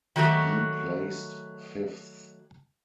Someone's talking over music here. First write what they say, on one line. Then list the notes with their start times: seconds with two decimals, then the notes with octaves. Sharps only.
He placed fifth.
0.16 D#3 F#3 A3 F#4 G4